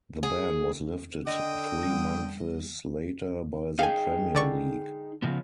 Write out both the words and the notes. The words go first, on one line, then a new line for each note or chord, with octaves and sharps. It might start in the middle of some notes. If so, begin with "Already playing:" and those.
The ban was lifted three months later by the Premier League.
G#4
D3 D#5 G5 D#6
G3
D#4 G#4 F5 G5 G#5
D3 D5 C#6
C#3 F3 B3